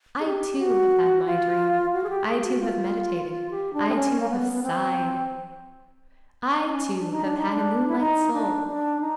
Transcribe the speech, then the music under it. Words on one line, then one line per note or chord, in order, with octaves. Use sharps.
I, too, have had my dream, I, too, have meditated, I, too, have sighed; I, too, have had a moonlight soul.
G#4
G4
F#4
F4
F#4
G#4
G4
G#4
F#4
F4
F4
G4
D4
C4
C#4
A#3
B3
B3
C4
C#4
D4
D#4
D4
D#4
D4
E4
D#4
D4
D4
D#4